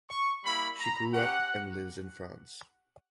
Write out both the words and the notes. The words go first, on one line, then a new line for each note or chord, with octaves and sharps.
She grew up and lives in France.
C#6
G3 A#3 E4 B5
A#5
C#4 G4 F#5